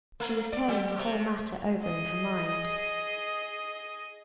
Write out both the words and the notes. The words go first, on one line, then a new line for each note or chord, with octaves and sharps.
She was turning the whole matter over in her mind.
A3
D5
F#3
C3
G#4 D#5